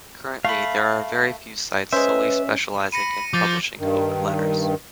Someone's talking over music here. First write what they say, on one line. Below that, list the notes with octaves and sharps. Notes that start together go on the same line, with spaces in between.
Currently there are very few sites solely specialising in publishing open letters.
A3 F5 B5
G#3 C#4 B4 C5 E5
B5 A#6 C#7 D#7
F3 D6 G6 A6
G2 D#3